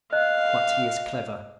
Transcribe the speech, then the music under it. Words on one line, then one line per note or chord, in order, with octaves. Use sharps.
But he is clever.
D#5 F5 F#6